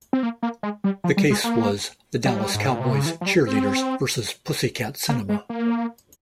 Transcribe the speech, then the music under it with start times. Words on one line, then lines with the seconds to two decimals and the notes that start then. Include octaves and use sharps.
The case was "The Dallas Cowboys Cheerleaders versus Pussycat Cinema".
0.13 C4
0.23 A#3
0.43 A#3
0.63 G#3
0.84 G3
1.04 F3
1.17 G3
1.30 G#3
1.44 A#3
2.26 G3
2.54 G#2
2.68 A#2
2.80 C3
2.93 C#3
3.06 E3
3.21 F3
3.26 G3
3.47 C4
5.09 A#3
5.29 G#3
5.49 A#3